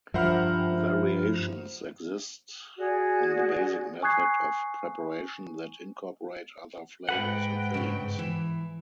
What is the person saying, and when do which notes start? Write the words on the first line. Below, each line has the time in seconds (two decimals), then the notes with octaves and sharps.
Variations exist on the basic method of preparation that incorporate other flavors and fillings.
0.14 G2 F3 A#4 C5 E5 F#5 B5 F6
2.77 F#4 G#4 D5
4.03 G#5 C#6 D#6 F#6 G#6 C7
7.09 G#2 B4 F#5 G5
7.74 G2 C#3
8.19 E3